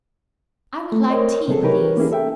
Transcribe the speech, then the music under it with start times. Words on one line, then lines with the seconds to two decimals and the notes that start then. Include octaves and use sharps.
"I would like tea, please."
0.92 A3
1.10 A#4 C5 C#5 D#5
1.48 C3 F#3 C4 G#4 A4
1.63 E3 D#4 G4 A#4 B4 C#5
1.97 A#3 C#4 E4 G#4
2.11 A4 E5 G5